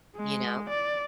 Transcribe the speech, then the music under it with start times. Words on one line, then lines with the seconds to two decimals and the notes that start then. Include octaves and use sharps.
You know?
0.16 G#3
0.69 D5